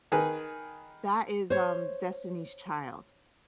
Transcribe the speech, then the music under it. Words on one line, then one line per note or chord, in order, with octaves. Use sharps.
That is, um, Destiny's Child.
D#3 G#4 B4
C5 C#5